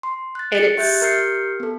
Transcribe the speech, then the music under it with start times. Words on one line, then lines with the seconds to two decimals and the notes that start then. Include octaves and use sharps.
And it's
0.03 C6
0.35 F#6 A6
0.55 A6 C#7 D7
0.77 G4 E5 F#6 G6 A6
1.01 G4 A#4 F6 G6 C7 C#7
1.60 B3 A4